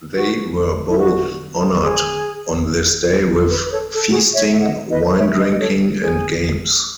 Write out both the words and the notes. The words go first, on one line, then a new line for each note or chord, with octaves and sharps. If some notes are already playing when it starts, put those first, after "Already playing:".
They were both honored on this day with feasting, wine-drinking, and games.
F#4
E4
F#4
G#4
B4
B4
A4 C#5
A4
F#4
G#4
C#5 E5
E5
D#5 F#5
B4 D#5
C#5 E5
B4 D#5
D#5
A4 C#5
G#4